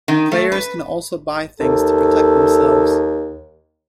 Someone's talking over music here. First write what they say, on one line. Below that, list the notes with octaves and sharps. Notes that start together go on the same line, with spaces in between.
Players can also buy things to protect themselves.
D#3
A3
B4
D#2 A4